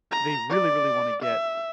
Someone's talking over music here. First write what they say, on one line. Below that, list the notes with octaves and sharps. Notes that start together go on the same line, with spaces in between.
they really, really wanna get,
A#5
D5
E5